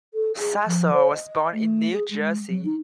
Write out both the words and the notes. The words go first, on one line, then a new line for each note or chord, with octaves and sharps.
Sasso was born in New Jersey.
A4
G#4
F3
C5
D#5
A3
G#4
G#3
F#3
D#4